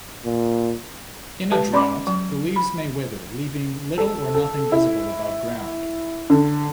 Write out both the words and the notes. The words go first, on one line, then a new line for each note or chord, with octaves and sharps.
In a drought, the leaves may wither, leaving little or nothing visible above ground.
A#2
G#3 G4 A4 B4 A5
C#4 D5 B5 C6 D6
F#3
B5
A4
A4
E4
D3